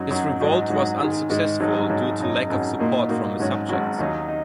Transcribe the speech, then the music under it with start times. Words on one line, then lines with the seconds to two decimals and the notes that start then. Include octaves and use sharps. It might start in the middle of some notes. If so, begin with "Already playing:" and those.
His revolt was unsuccessful due to lack of support from his subjects.
Already playing: F#2 F#3 D#4 F#4
0.10 F#2 F#3 D#4 F#4
0.40 G#2 F#3 D#4 F#4
0.70 G#2 F#3 D#4 F#4
1.00 G#2 D#3 G#3
1.30 G#2 D#3 G#3
1.60 G#1 G#2 F#3 D#4
1.90 G#1 G#2 F#3 D#4
2.20 G#1 F#2 F#3 D#4
2.49 G#1 F#2 F#3 D#4
2.79 A#2 A#3 D#4 F#4
3.09 A#2 A#3 D#4 F#4
3.39 G#1 G#2 F#3 C#4 F#4
3.69 G#1 G#2 F#3 C#4 F#4
3.99 D#2 D#3 F#3 D#4
4.28 D#4